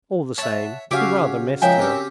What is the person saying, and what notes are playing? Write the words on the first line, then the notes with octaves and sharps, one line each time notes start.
All the same, he rather missed her.
C#5 E5 F#5 A5
C#3 F#4 G4 C#5 E5 F5 G#5 D6
F3 G#3 A#4 C#5 E5 G5 G#5
C4 C#4 G4